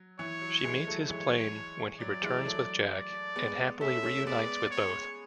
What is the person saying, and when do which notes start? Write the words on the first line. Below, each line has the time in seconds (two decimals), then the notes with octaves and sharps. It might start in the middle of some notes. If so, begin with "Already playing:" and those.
She meets his plane when he returns with Jack and happily reunites with both.
Already playing: F#3
0.19 E3 C#5
0.41 F#3
0.64 E3 G#3
0.87 F#3 A3
1.09 E3 G#3 C#5
1.99 F#3 D5
2.23 E3 G#3
2.46 F#3 A3
2.90 D5
3.36 G#3 B3
3.81 A3 C#4 E5
4.04 A3 C#4
4.27 G#3 B3 D5
4.71 C#5